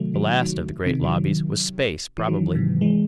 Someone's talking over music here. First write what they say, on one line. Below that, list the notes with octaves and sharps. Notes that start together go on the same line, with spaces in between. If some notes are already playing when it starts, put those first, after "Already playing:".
The last of the great lobbies was Space, probably.
Already playing: C3 D#3 F#3 A3
D#3 F#3
D#3 F#3
C3 D#3
D#3 F#3
E3
D#3 F#3
G#2 C3
E3 G#3